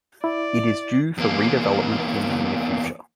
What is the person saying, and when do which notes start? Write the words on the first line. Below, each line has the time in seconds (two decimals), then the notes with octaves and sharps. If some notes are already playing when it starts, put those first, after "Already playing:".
It is due for redevelopment in the near future.
0.24 E4 D5
1.18 E2 A#3